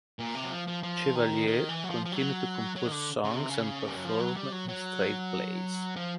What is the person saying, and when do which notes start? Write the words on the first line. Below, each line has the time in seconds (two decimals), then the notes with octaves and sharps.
Chevalier continued to compose songs and perform in straight plays.
0.19 A#2
0.35 C3
0.44 F#3
0.51 F3
0.67 F3
0.83 F3
1.15 D#3
1.47 D#3
1.69 E3
1.83 F#3
1.90 F3
2.05 F3
2.12 F#3
2.76 F#3
2.87 D#3
2.92 D3
3.24 C#3
3.37 C3
3.49 C#3
3.88 G3
3.96 F#3
4.04 F3
4.20 F#3
4.36 G3
4.52 F#3
4.68 F#3
5.96 F3